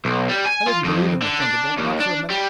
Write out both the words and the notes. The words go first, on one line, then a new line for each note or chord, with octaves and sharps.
I didn't believe in the thunderbolt, not for a minute.
B1
G3
G#5
F4
F2
D3
D4
D#2
D4
G3